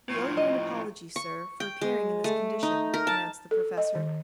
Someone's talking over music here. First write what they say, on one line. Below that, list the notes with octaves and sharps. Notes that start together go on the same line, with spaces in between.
"We owe you an apology, sir, for appearing in this condition," announced the Professor.
A2 F3
D#5
C#6
G5
G#3
A3
D#4
A#4
A5
A4
D#5
D#3